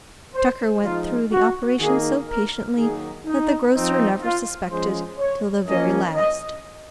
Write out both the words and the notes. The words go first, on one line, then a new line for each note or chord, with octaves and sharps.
Tucker went through the operation so patiently, that the grocer never suspected till the very last.
C5
F3 G#3 D#4 F4
F#4
D#3 A#3 D#4 G#4
A#4
D#3 F#3 A#3 D#4 G#4
D#4
F3 C4 D#4
F4
F3 G#3 C#4 C5
C#5
F3 A#3 C#4 D#5
D#5